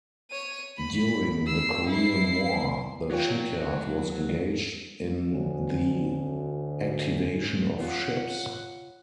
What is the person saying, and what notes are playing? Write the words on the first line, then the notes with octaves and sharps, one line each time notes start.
During the Korean War, the shipyard was engaged in the activation of ships.
C#5 D#7
B5
E6 C7
E4 C7
F#3 F4 C#5 G5
D2 F#4 C#5 G#5
F4 C#5 F#5